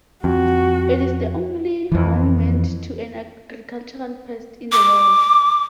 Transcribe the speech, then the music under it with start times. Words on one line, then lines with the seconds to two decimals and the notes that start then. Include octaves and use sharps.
It is the only monument to an agricultural pest in the world.
0.24 F2 F#4
1.92 F2 E3
4.72 D6